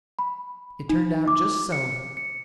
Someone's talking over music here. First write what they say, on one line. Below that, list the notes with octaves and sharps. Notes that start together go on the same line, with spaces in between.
It turned out just so.
B5
D#4
D6
C#7
C#7